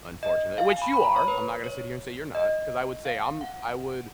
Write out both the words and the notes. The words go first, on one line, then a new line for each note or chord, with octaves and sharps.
Unfortunate which you are, I'm not gonna sit here and say you're not 'cause I would say I'm I would,
D#5
F5
G#5
B5
B5
A#5
C#5
B4
C#5
D#5
F5
F#5